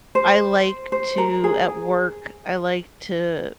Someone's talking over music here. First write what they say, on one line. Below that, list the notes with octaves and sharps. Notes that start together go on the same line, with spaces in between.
I like to, at work, I like to
C5
C5
A#4
G#4